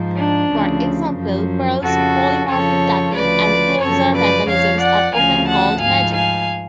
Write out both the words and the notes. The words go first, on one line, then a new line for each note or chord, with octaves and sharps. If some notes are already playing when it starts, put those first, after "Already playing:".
For example, Perl's polymorphic typing and closure mechanisms are often called "magic".
Already playing: G#2 F3
D4
D2 C#3 F3
F#2 F3
F2 C#3 F3 F#4 A4
F2 C#3 F3 A4 C#5
D2 C#3 F3 B4 D5
F#2 C#3 F3 A4 C#5
B4 D5
F2 F3 C#5 F5
D5 F#5
D2 C#3 F3 F5 G#5
F#5 A5
G#2 F3 F5 G#5
F5 G#5